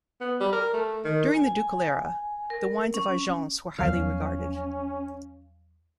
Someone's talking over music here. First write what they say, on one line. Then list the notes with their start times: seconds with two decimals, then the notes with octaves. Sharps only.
During the ducal era the wines of Argences were highly regarded.
0.21 B3
0.40 G3
0.53 A#4
0.73 A3
1.04 D#3
1.34 G#5
2.50 A#4
2.94 C#4
3.78 E2 F3 F#3 C#4 F5